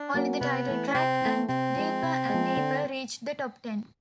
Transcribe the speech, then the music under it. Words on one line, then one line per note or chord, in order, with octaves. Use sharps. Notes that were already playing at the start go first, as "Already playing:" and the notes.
Only the title track and "Deeper and Deeper" reached the top ten.
Already playing: D4
F#3 A#3 C#4 F#4
C3 B3
E3 A3
C#4
C3 C4
E3 A3
C3 C4
F3 G#3
C3
F3 G#3
D3